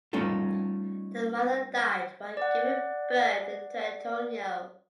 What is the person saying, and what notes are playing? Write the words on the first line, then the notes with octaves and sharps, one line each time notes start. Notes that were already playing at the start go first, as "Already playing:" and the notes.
The mother died while giving birth to Antonio.
G3 A3 C#4 D#4 F4 A4
D5 F#5